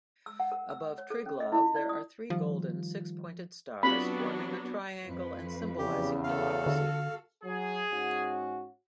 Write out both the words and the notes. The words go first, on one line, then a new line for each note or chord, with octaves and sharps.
Above Triglav, there are three golden, six-pointed stars, forming a triangle and symbolising democracy.
E6
F#5
A#4
E6
C#5
A4
C#4
D#5
E4
F4
D5
D#6
D#3 F3 G3 F4
F#3 B3 C4 D4 F4 G4 B5
F2 F3 B4
E2 C#3 G4
F#4 A4 F5
D3
F#3 G#4
G#2 C#4 F#4